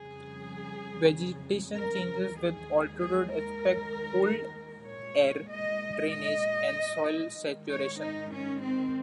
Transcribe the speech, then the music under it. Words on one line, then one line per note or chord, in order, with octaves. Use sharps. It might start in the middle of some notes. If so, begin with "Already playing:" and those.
Vegetation changes with altitude, aspect, cold air drainage and soil saturation.
Already playing: F2 C#3 G3 G#4
A#4
D#2 D#3 G#3 G#4
G#4
A#4
A#2 G#3 C#5
D#5
D#5
G#2 D#3 G#3
C#5
D#4
C#4
C4